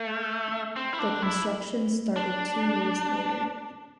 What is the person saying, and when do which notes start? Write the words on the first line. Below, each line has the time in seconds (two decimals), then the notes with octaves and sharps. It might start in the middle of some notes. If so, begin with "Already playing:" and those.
The construction started two years later.
Already playing: A3
0.76 C4
0.93 E4
0.99 D4
1.22 E4
2.16 D4